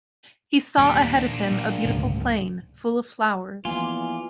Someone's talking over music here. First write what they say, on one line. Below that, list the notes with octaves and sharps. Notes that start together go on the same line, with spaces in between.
He saw ahead of him a beautiful plain full of flowers.
D#2 A#2 G3
A#3 D4
A#2
D1 C#2 G#2 C3
E3 F3 A#3 B3 F4 G#4 D5